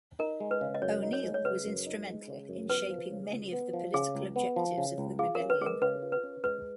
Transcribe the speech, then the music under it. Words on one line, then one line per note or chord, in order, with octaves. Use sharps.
O'Neill was instrumental in shaping many of the political objectives of the rebellion.
D#4 A#4
G#3
B4
C#3
D#5
F#2 C#5
D#4
C#5
G#3
C#5
C#3 B4
F#2
D#4
G#3
C#3
F#2
B3 B4
F3
C#3
C#2
B3
F3
C#3 G#4
C#2
B3
F3
C#3
C#2
F4 G#4
A#4
C#4
B4
G#3 G#4
A#4
C#3 B4
F4
B4
C#4
G#3 B4